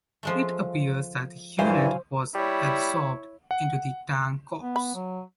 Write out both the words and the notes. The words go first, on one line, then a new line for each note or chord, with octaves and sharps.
It appears that the unit was absorbed into the Tank Corps.
F3 G#3 A3
G2 A#2 E3 F#3 C5 F5 G#5
G3 E4 C#5
F#5
B3
B5
F#3